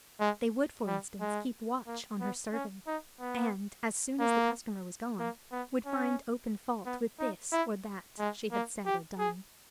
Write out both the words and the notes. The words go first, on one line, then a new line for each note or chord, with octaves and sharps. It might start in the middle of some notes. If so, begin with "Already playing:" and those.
They would, for instance, keep watch on her serving, and, as soon as the customer was gone, would find open fault with this or that she had said or done.
G#3
G3
G#3
A#3
B3
C#4
D#4
B3
A#3
A#3
B3
C#4
B3
D#4
E4
G#3
A#3
G4
G#4